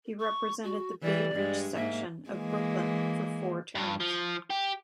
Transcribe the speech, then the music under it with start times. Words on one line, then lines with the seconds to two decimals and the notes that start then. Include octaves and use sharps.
He represented the Bay Ridge section of Brooklyn for four terms.
0.20 C#6
0.64 F#4
1.02 E3 G3 D5
1.35 G2 G#3
1.76 G#2 A#3 E5
2.30 E3 G#3 A#3
3.75 G2
4.00 F3
4.51 G4